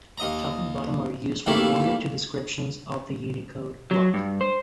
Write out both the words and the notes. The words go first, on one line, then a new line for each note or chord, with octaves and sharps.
Top and bottom are used for one or two descriptions of the Unicode block.
D#2 D#5 A#5
D#3 E3 G3 A3 A#3
F#3
G2
C5